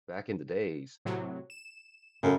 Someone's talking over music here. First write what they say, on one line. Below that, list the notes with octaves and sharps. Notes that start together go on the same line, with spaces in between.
back in the days,
A2 C3 F#3
E7
F#2 C#3 A4